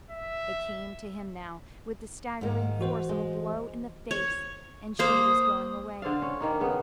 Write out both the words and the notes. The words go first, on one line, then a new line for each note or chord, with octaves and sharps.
It came to him now with the staggering force of a blow in the face--and she was going away.
E5
G#2 D#3 A#3
E3 F#4 C5
G#3
C#5
A#3 C5 D#6
D3 C5 D5 F5
C#4
D#3 A#3 D#4
C#3 B3